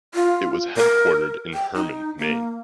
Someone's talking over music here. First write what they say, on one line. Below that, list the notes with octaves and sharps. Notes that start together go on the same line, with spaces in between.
It was headquartered in Hermon, Maine.
F4
A#4
G5
D#4
A#3